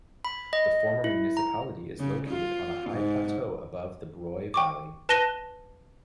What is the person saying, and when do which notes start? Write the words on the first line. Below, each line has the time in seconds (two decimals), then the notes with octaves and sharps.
The former municipality is located on a high plateau above the Broye valley.
0.25 B5
0.53 D#5
1.04 E4
1.37 A#5
1.99 C#3
2.30 F4
2.91 G#2
4.54 G5 C#6 D6
5.09 B4 A5 F#6 A#6 D#7 G7